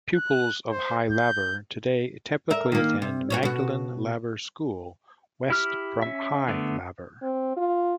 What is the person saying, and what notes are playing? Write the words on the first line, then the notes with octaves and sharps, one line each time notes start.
Pupils of High Laver today typically attend Magdalen Laver school, west from High Laver.
F#6
C5
G6
A#4 E5
D#3 A#3
C3
F#4 C5 C#5
B2 F#4
E4 G4 F6
C#4 E5
D3 A3 B3
C4
F4